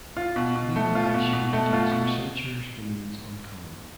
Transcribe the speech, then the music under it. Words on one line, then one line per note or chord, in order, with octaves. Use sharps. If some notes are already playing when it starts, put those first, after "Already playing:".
Legal action against researchers remains uncommon.
F4
B2
B2
A3
F4
B2
B2
A3
F4
B2